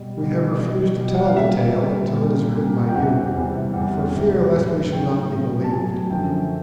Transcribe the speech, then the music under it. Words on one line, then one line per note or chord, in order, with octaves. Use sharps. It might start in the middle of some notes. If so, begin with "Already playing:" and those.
We have refused to tell the tale till it is written by you, for fear lest we shall not be believed.
Already playing: B2 G3 D5
B2 G3
D5
B2 G3 D#5
B2 G3
F#5
F5
A#2 G3 E5
A#2 G3
A#2 G3
A#2 G3
G5
E2 C3 E3 G3 F#5
E2 C3 E3 G3
E2 C3 E3 G3 F#5
E2 C3 E3 G3
A2 F#3
A2 F#3 G5
A2 F#3
A5
A2 F#3 G#5
F#2 D3 F3 G5